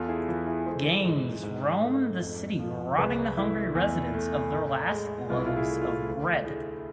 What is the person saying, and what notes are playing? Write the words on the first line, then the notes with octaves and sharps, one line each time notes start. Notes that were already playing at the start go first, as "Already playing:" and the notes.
Gangs roam the city robbing the hungry residents of their last loaves of bread.
Already playing: E2 F4 A4
E4 G#4
E3 F4
E4 G#4
G#3 A4 C5
G#2
G#2
A3
F2
F3
C2 G#4 B4
A3 E4
E2
A3
A2
G#3
C2 F4
E4
F4
E4 G#4
A3
F4
D2 F4
A3 E4 G#4